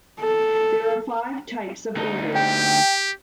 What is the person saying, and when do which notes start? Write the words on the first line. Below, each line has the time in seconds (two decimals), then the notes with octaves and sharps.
There are five types of orders.
0.20 A4
1.96 D2 D#4
2.35 G4 G5